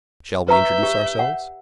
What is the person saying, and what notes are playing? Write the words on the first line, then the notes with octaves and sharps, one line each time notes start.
Shall we introduce ourselves?
B4 E5 A#5 C#6 G6
G4
F#5